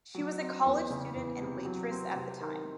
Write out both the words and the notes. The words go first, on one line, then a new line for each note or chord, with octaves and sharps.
She was a college student and waitress at the time.
F#3
C4
E2
C#3
E2
C3
F#3
C4
C3
D#3